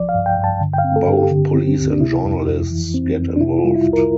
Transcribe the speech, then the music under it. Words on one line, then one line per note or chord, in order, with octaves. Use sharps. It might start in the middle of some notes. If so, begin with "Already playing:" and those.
Both police and journalists get involved.
Already playing: C2 F3 D5
F5
G2
G5
G2
A5
D3
G5
F5
C4
A4
G2
G4
D3
C4
D2
D4
C3 E4
F2
F2
E3
C4
F2
D4
C3 E4
F4
G3
E4
C2
A#4